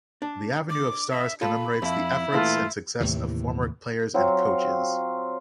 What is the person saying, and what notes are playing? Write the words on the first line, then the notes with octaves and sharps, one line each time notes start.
The "Avenue of Stars" commemorates the efforts and success of former players and coaches.
D4
D6
E5
F4 A4 B5
F2 E4
A#2 E3 A3 F4
D#2 A2 C3 E3
F#3 C4 F4